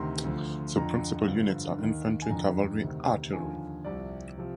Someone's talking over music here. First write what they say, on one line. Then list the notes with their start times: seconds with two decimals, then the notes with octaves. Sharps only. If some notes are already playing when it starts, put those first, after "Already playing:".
The principal units are infantry, cavalry, artillery.
Already playing: D2 C3 D#3 A#5 C6
0.24 D2 D3 F3
0.76 F2 D3 F3 A#5
1.27 G2 D3 F3
1.78 D#2 D#3
2.22 G#5
2.30 F2 D3 F3 A#5
2.81 D2 C3 D#3
3.33 D#2 D3 F3 G#5
3.85 C2 C3 F3 D5
4.38 C3 F3